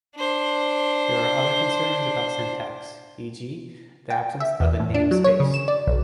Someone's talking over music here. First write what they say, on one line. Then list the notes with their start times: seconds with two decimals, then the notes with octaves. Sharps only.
There are other concerns about syntax, e.g., the absence of a namespace.
0.15 D4 C5
4.10 G5
4.40 E5
4.60 E2
4.80 A2
4.94 D4
5.11 F#3
5.24 C#5
5.40 C#3
5.54 E7
5.68 D5
5.87 B1